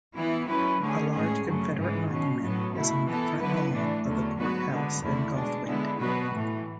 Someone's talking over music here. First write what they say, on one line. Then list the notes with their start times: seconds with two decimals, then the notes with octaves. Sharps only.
A large Confederate monument is on the front lawn of the courthouse in Goldthwaite.
0.15 E3 B3 E4
0.48 F#3 C#4 E4 B4
0.79 D3 A3 C#4 G#4
1.12 A2 G#3 C#4 G#4
1.45 F#2 C#3 F#3 A3
1.77 G#2 E3 G#3
2.10 B2 F#3 C#4
2.42 A2 F#3 B3
2.75 B2 A3 E4
3.06 E3 B3 E4 A4
3.39 D3 F#3 B3 E4 B4
3.72 A2 E3 A3 D4
4.04 E2 D3 F#3 A3
4.37 G#2 F#3 B3 F#4 B4
4.69 D3 G#3 B3
5.01 E2 D3 A3 E4
5.33 B2 G#3 D4
5.66 D3 G#3 B3 E4
5.98 B2 F#3 B3 F#4 B4
6.31 A2 E3 A3